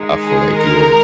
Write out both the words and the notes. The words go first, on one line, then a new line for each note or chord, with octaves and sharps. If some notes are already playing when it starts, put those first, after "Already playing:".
I feel like, yeah,
Already playing: D#3 G#3 D#4
G#4
A#4